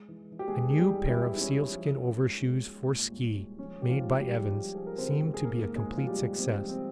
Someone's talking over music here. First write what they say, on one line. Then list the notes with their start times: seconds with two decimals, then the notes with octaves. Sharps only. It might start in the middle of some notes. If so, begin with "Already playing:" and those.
A new pair of sealskin overshoes for ski made by Evans seem to be a complete success.
Already playing: G#3
0.08 E3
0.32 E3
0.39 G4
0.48 G#3 G#4
0.55 E2
0.71 G#4
0.79 E3 G3 G4
1.02 E2
1.10 E3 E4
1.25 E3
1.37 E4
1.41 C#4
1.48 E3
1.72 F3
1.95 F3
2.18 G#3
2.42 G#3
2.65 G#3
2.89 A#2
3.12 C2
3.35 G#3
3.58 F3 C#4
3.82 G#3 G4
3.89 F3 F4
4.05 G#3
4.21 G3 G4
4.29 F3
4.52 F3
4.75 F3 G#4
4.87 A#4
4.98 C#3 C4 C5
5.21 G#3
5.34 G#4
5.45 G#2 A#3 A#4
5.69 G#2
5.76 G#3 G#4
5.91 F3
5.97 F4
6.07 G3 G4
6.15 G#2
6.38 G#3 C4
6.61 F3
6.69 C4